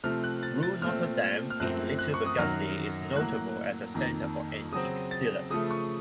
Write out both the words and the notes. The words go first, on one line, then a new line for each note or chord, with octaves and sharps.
Rue Notre-Dame in Little Burgundy is notable as a centre for antiques dealers.
C3 F3 A3 C4 F6
F#6
A6
A6
A#2 A3 C4 F6
F6
F#2 F3 A3 C4 F#6
F#6
C#6
D#6
F#2 D#3 F#3 F6
A2 F#3 A#3 F#6
F2 D#3 A#3
C#3 F#3 C4 D#6
A6
C#3 F3 A3 D#6
C#6